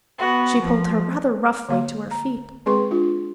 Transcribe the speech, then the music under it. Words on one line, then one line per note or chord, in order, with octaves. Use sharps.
She pulled her rather roughly to her feet.
B3 F#4
F3
D3 A#3 F5
A#5
G#3 C4 G#4 B4 C6 C#6
D4 F4